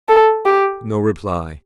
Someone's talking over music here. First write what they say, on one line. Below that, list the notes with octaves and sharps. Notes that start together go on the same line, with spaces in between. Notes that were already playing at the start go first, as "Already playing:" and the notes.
No reply.
A4
G4